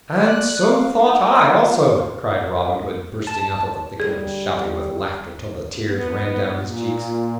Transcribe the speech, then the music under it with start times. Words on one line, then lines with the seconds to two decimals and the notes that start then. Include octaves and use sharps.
"And so thought I, also," cried Robin Hood, bursting out of the thicket and shouting with laughter till the tears ran down his cheeks.
0.23 D5 F#6
0.62 F5
1.04 D#4 A#4
1.53 F4
3.27 A5
4.00 D3 G3 G#4
5.81 B3
6.55 A#2